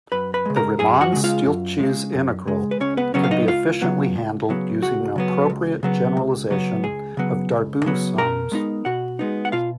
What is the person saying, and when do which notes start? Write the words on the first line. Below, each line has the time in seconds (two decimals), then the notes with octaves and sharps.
The Riemann-Stieltjes integral can be efficiently handled using an appropriate generalization of Darboux sums.
0.12 F#2 B4 B5
0.34 B4 B5
0.45 C#3 G#3
0.56 A#4 A#5
0.79 F#2 G#4 G#5
1.01 F#4 F#5
1.13 C#3 G#3
1.24 F4 F5
1.46 F#2
1.80 C#3 G#3
2.13 F#2
2.47 C#3 G#3
2.71 B4
2.80 C#2 C#4 C#5
2.97 B3 B4
3.14 C#3 F#3 B3 C#4 C#5
3.23 F5
3.31 D#4 D#5
3.48 C#2 F4 F5
3.82 C#3 F#3 B3
4.16 C#2
4.49 C#3 F#3 B3
4.82 C#2 F#4 F#5
5.16 C#3 F#3 B3
5.50 C#2
5.83 C#3 F#3 B3
6.17 C#2
6.50 C#3 F#3 B3
6.83 C#2 G#4 G#5
7.17 C#3 F#3 B3
7.51 C#2
7.85 C#3 F#3 B3
8.18 B2 A#4 A#5
8.52 G#3 B3 D#4
8.85 B2 F#4 F#5
9.19 G#3 B3 D#4
9.45 F#5
9.52 B2 F4 F5